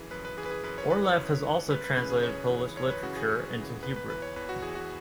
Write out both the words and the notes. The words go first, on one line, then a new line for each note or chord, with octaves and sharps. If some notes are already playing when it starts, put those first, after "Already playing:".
Orlev has also translated Polish literature into Hebrew.
Already playing: F#2 E3 G#4
F#2 B4
B4
E3 G#4
B4
G#4
F#2 B4
C#5
E3 B4
C#5
F#2
E3
F#2 B4
B4
C#3 E3 B4
G#4
F#2 C#5
C#3 E3
F#2 C#5
C#5
B4
C#3 E3 F#4
G#4
F#2
C#3 E3
E2 B4
B4
E3 B4
C#5
E2 B4
F#4
E3 G#4
F#4